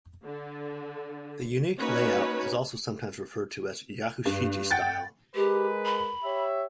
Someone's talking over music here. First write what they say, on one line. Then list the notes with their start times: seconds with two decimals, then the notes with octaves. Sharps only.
The unique layout is also sometimes referred to as "yakushiji-style".
0.24 D3
1.78 A#3 C#4 D#4 F#4 B4 C#5
4.25 G2
4.71 F#5 G5 A6
5.35 G#3 G4 A#4 B4
5.85 B5
6.23 G4 C#5 E5